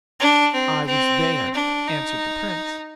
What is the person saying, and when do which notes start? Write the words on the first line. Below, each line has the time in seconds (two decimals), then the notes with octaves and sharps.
'I was there,' answered the prince.
0.20 D4
0.54 C4
0.87 C4
1.54 D4
1.88 D#4